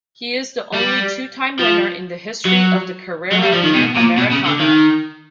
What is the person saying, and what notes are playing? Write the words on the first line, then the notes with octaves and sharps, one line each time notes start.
He is the only two-time winner in the history of the Carrera Panamericana.
G3
F3
F#3
F#3
G3
F3
D#3
B2
A#2
B2
C#3
D3
D#3